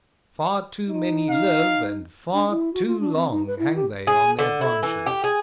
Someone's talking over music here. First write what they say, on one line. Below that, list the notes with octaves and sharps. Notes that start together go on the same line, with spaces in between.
Far too many live, and far too long hang they on their branches.
D#4
F5
D4
E4
F#4
F4
D4
C4
D#4
B4
E4
G4
G#4
D3
E4
E3
G4
G#4